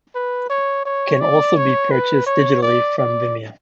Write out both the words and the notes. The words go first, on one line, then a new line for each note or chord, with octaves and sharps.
Can also be purchased digitally from Vimeo.
B4
C#5
C#5
D5
C#5
B4
C#5
D5
D5